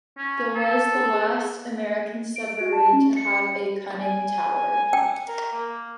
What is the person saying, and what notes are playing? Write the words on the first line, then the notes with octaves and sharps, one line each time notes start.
The was the last American submarine to have a conning tower.
C#4
A4
G#4
D7
F#4
A5
C#4
C#7
G#5
G5
A#4
A#3